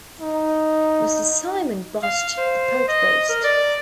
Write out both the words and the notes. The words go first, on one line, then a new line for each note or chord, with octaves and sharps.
Mr. Simon botched the pot roast.
D#4
F5
C5
D#5
A#4
D5